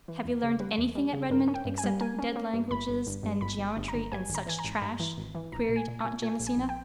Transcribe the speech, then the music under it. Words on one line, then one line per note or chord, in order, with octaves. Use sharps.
"Have you learned anything at Redmond except dead languages and geometry and such trash?" queried Aunt Jamesina.
E3
E2
C#3
G3 B4
E2
G3
C#3
G2 A#4
C#4
G5
G2
G#5
G3
A#3 G#5
C#4
A#3
G2
G1 B5
G1
G1
G2
G1 B5
G1
G1
A#5
G1
G2 G#5
G#1
A#5
E3 G#5
A#5
G#1
G2 A#5
E3
G#1
E3
A#1 A#5
A#2
G#5
A#2
A#2 G#5
A#2 G#5
A#1
G#5
A#1
G5